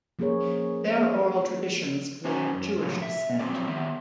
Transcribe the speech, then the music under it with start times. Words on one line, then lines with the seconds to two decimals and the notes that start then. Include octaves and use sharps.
Their oral traditions claim Jewish descent.
0.19 F3 A#3 C#4 G#4 A#4 C#5
2.25 C#4 F#4 C5 G#5
2.53 F#2
2.80 A2 D3 F3 F#3
3.02 E5
3.39 F3 F#3 G#3 C4 A#4 D5
3.67 D#3 B3 E5